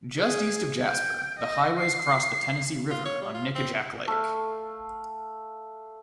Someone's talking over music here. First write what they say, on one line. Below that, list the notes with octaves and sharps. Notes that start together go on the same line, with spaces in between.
Just east of Jasper, the highways cross the Tennessee River on Nickajack Lake.
G#4
G5
D#5
C7
F4
C#5
G3
F4
C4
A3 F5